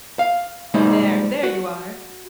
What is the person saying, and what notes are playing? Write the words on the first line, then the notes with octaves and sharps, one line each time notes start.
There, there you are.'
F5
G3 G#3 A#3 D#4 C5
F#4